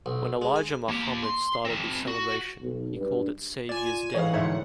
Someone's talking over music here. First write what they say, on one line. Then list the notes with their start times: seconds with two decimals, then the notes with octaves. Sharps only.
When Elijah Muhammad started the celebration, he called it Saviour's Day.
0.06 B1
0.42 G#3
0.56 G#5
0.89 A#3 G4
1.23 C6
1.65 C4 D#4
2.08 F#4
2.61 B1
2.94 G2
3.69 F4 D5 G#5 E7
4.14 A2 E3 C#5 D#5 F5 F#5
4.33 D2 G#2 D#4 C#5 E5